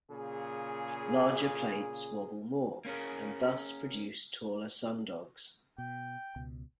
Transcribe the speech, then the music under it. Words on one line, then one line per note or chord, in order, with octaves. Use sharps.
Larger plates wobble more, and thus produce taller sundogs.
A#2 C#3 G#4
A#3 C#4 G#4 A#4
B2 G5
C#2 B2